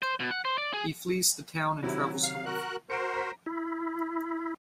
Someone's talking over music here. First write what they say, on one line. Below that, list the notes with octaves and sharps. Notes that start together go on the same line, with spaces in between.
He flees the town and travels north.
C5
B2
F#5
C5
D5
G#4
C3 D#3 F#3 E4
F5
F#4 A#4 F#6
F#4 A#4 C5 C#7 D7
A#5 B6
E4